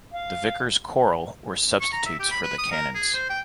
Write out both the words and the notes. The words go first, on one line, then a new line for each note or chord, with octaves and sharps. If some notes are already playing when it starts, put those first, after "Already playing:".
The vicars choral were substitutes for the canons.
F5
C#6
A#5
E5
G4
B5
B4
D#6
A#4
G#4
C5
G5